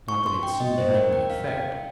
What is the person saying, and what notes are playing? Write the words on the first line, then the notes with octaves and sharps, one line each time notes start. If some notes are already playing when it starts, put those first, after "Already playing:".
Not that it seemed to have any effect.
C#6
C6
G5
D#5
C5
A#4
G5
F5
G5